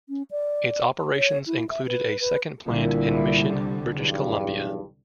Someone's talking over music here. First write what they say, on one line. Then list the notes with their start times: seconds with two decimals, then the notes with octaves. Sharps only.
Its operations included a second plant in Mission, British Columbia.
0.09 C#4
0.31 D5
1.16 C#5
1.47 E4
1.70 E5
1.87 B4
2.20 B4
2.67 C2 A#2 D3 G3 E4
3.93 B1 E2 G2